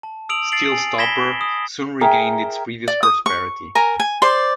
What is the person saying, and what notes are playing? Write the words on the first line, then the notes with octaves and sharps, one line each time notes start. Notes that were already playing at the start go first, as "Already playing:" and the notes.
Steal Stopper soon regained its previous prosperity.
A5
D#6 E6 D7 F7 F#7
A6 C7 D7 F#7
G#5
B5 G#6 A#6 B6 E7 G7
D#6
G#4 A#4 E5 G5
D5
D#6
C#6
A#4 G#5 A#5
G#5
C5 D5 C6